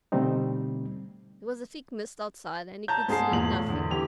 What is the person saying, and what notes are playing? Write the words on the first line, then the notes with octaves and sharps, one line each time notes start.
There was a thick mist outside and he could see nothing.
B2 D3 G3 A3 C4 D#4
A5 A#5 G6
G#2 G#3 G#4 A5 C7
E2 A#2 F#7
A2
E2 D3
E3 G4 F7